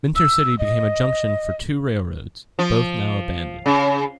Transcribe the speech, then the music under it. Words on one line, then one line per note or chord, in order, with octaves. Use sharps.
Minter City became a junction for two railroads, both now abandoned.
E6
D#5
F3
C#3